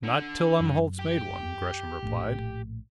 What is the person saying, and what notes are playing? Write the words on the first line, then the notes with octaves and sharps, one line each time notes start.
"Not till Umholtz made one," Gresham replied.
D3
F#2
G4
A#1 A2